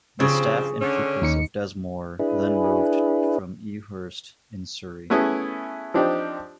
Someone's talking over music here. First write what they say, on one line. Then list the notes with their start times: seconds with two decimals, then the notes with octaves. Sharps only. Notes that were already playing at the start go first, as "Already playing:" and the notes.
The staff and pupils of Desmoor then moved from Ewhurst in Surrey.
0.20 G2 C#3 F3 C4
0.82 D3 C#4
1.22 D#2 D#4 C#7
2.19 D4 E4 G#4 B4
5.10 A3 B3 C#4 E4 G#4
5.94 F3 C4 D4 D#4 G4